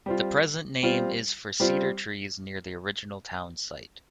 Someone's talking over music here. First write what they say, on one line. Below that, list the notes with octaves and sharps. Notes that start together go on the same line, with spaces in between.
The present name is for cedar trees near the original town site.
G3 C4 F4
G3 C4 F4
G3 C4 F4